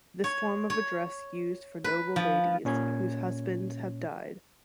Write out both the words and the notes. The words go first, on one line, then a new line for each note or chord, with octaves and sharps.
This form of address used for noble ladies whose husbands have died.
C#5
C#5
B4
F3
A#2 C#4 C#5 G#6